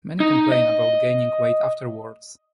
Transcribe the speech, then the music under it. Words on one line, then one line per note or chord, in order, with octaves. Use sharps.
Many complain about gaining weight afterwords.
D#4
D#5